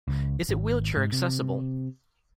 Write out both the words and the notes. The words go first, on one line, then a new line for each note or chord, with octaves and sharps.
Is it wheelchair-accessible?
C#2
G#1
G#2
C3